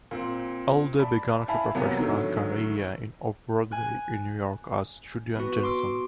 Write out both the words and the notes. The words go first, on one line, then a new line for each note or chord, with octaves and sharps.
Elder began her professional career in off-Broadway in New York as "Judyann Jonsson".
A#2 C4
D5 A5 B5
E4 F5 G#5 A5 B5
C3 E3 F#3 A#3 B3
A2 D3 D#3 F#3
G#5 F#6
B3 F#4
C6 D6 E6